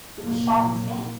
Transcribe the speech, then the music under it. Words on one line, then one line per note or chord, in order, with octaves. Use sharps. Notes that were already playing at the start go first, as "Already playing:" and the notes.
It was shot in Spain.
F1 A#2 F#3 A#3